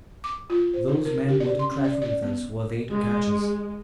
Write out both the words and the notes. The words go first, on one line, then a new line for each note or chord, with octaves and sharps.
Those men wouldn't trifle with us, were they to catch us.
D6
F4
C5
D#4
A#4
G4
D5
C6
C#4
D5
D5
B3
G#3